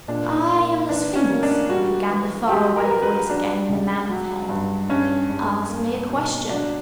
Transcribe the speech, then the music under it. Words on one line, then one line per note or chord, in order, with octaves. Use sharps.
"I am the Sphinx," began the far-away voice again in the mammoth head. "Ask me a question."
A#2 D4
A#3
E3 D4
C#4
A#3
D4
G3 F#4
E3
F#3 G4
A#4
B4
F#3 A#4
B4
F#3 D4
C#2
F#3
G2
G2 C#4
G2
A#3
B2
F#3 D4